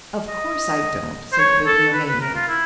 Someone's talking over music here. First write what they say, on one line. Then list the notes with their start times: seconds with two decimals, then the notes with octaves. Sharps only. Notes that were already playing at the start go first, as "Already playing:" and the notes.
"Of course I don't," said the Bibliomaniac.
0.28 D#5
1.32 C5
1.39 C#5
1.66 A4
1.93 B4
2.08 B4
2.21 A#4
2.35 F4
2.48 E4